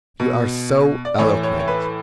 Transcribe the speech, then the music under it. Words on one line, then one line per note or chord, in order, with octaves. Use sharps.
You are so eloquent.
B2
D5
A2 E3 C#5
C#5
C#5
B4